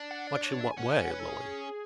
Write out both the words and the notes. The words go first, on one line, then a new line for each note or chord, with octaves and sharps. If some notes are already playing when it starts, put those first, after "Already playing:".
"Much in what way, Lily?"
Already playing: D4
F#5
D5
C#5
E5
G#5
C#4 F#5
F#5
B4
A4
G#4